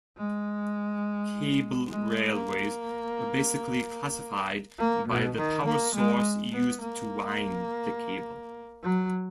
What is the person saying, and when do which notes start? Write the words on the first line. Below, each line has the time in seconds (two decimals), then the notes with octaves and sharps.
Cable railways are basically classified by the power source used to wind the cable.
0.17 G#3
1.90 G#3
2.34 A#3
4.79 A#3
5.08 B2
5.37 D#3
5.65 A#3
5.94 G#3
6.52 B3
6.81 A#3
8.83 F#3